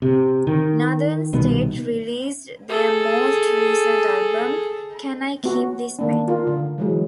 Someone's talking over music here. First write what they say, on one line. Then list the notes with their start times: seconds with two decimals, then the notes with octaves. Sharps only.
Northern State released their most recent album, Can I Keep This Pen?
0.02 C3
0.47 D#3
1.33 C2 B2 D#3 B3
2.69 G#4 A4
5.44 B3 F#4
5.99 D#3 A#3 D4
6.28 F4 A#4
6.47 D3
6.78 E3 F#3 G#3